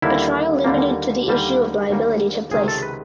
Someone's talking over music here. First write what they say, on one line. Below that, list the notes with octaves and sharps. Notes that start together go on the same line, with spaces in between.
A trial limited to the issue of liability took place.
D#2 D3 G3 A#3 E4
D#2 D3 G3 A#3
D#2 D3 G3 A#3
D#2 D3 G3 A#3
C#2 C3 D#3 F#3 G#4
A4
B4